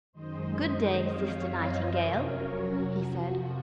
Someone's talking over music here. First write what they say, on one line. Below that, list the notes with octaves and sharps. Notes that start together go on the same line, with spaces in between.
"Good-day, Sister Nightingale," he said.
F#2 D#3 G#3 C5 D#5
C5 D#5
F#2 F3 C4 C#5 F5
C5 D#5
F2 C3 F#3 C#4 A#4 C#5
F#4 A#4
F2 C3 F3 F#4
F4